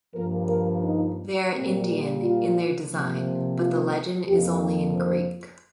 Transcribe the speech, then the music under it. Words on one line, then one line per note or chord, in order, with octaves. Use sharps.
They are Indian in their design, but the legend is only in Greek.
G2 F3 A#3 A#4
A#4
D#4
A#2 G3 A#3 C4
F4
C3 F3 A#3
F4
F2 F3 A#3 G4
C5